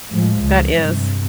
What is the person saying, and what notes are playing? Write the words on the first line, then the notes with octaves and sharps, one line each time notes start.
That is.
A2 F3 G#3
C#2
G2 C3